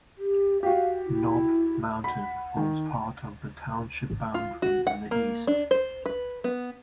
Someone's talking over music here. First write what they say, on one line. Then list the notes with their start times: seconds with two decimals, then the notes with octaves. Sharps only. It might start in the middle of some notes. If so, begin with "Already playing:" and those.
Knob Mountain forms part of the township boundary in the east.
0.18 G4
0.63 F#4 G4 F5
1.05 E4
2.04 F#5 B5
2.57 D#3
4.34 F4
4.62 F#4
4.87 F#5
5.11 A#3
5.47 D4
5.71 C5
6.06 B4
6.44 B3